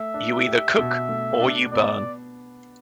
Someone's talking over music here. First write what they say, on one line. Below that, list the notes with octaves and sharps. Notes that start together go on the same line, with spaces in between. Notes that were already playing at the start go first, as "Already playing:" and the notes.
You either cook or you burn.
Already playing: A3 E5
D4
G4
B2
A3
D4
B3 D5